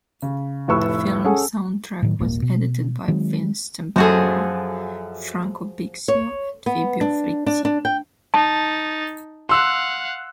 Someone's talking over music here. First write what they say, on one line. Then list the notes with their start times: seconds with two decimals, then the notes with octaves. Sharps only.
The film soundtrack was edited by Vince Tempera, Franco Bixio and Fabio Frizzi.
0.22 C#3
0.68 F1 A2 B4 C#6 E6
1.24 C#4 G#4 A4 F#5 G#5
2.02 A2 D#3 F#3
2.19 D#1 G#1 A#2 A#3
2.42 B2
3.08 D#3 F#3 G#3 C4
3.96 F#2 F3 F#4 G#4 A4
6.08 C#5
6.66 B3
7.01 D4
7.46 D4
7.65 D4
7.85 G5
8.34 D#4 A5 A6
9.49 F5 F#5 C6 E6 F#6